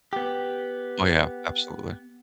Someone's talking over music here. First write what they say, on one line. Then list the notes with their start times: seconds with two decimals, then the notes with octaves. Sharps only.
Oh yeah, absolutely.
0.13 B3 G4